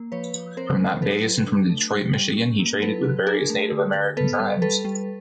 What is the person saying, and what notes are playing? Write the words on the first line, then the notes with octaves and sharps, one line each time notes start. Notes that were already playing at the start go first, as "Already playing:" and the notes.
From that base and from Detroit, Michigan, he traded with various Native American tribes.
Already playing: A#3
F3 B4 C#5
F3
C4 A#4 C5
G#3
F#3 A4 B4
F#3
D4
A3
G3
G3
C#4
A#3
F#3 A4 B4
F#3
D4 G#4 A#4
A3
D3
D3
B3 A4 B4
G3
G3 A4 B4
G3